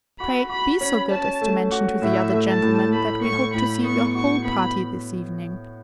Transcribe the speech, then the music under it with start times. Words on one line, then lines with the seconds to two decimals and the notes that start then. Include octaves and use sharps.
Pray be so good as to mention to the other gentlemen that we hope to see your whole party this evening.
0.20 F#4 B5
0.50 F#4 B5
0.80 C#4 B5
1.11 C#4 A5
1.41 A3
1.71 F#4
2.02 A2 E5
2.33 A3
2.48 A5
2.62 A2
2.93 A3 B5
3.23 A2 C#6
3.54 A2 B5
3.84 B3 C#6
4.15 F#4 C#6
4.45 B3 B5